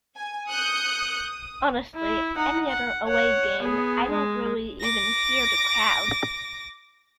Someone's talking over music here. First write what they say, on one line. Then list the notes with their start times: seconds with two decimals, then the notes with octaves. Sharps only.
Honestly, any other away game I don't really even hear the crowd.
0.16 G#5
0.49 D#6 F#6 G6 C#7
1.20 D#6
1.95 E4
2.36 D#4 F#5
2.68 F#5
3.05 C#5 F#5
3.62 B3 G#4
4.12 G#3
4.81 D6 A#6